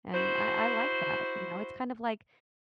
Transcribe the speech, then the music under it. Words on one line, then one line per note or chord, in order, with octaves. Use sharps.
and I I like that, you know? It's kind of like
E4 F#4 C5